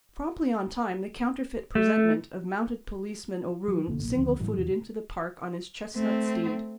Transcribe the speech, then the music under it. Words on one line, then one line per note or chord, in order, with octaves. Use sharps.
Promptly on time the counterfeit presentment of Mounted Policeman O'Roon single-footed into the Park on his chestnut steed.
A3
F#3
A#1 A#2 D3
B1 A#2
D2 D#3 F3
A2 E3 F#3 G3
E2 C3 E3
A3 C4